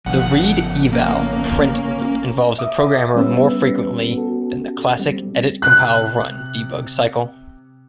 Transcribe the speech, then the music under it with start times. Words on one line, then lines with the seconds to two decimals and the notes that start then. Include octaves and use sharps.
The read-eval-print loop involves the programmer more frequently than the classic edit-compile-run-debug cycle.
0.06 G#1 C#3 F3 A3 B3 F#5
0.93 A#3 C#4
2.59 E5 D6 D#6
3.15 G3 B3 C#4 G4 B4 E6
4.13 F#4 A4
4.99 G3 C4
5.62 C3 F#6